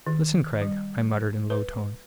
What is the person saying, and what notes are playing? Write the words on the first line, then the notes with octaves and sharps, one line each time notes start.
"Listen, Craig," I muttered, in low tones.
D#3
G3
B4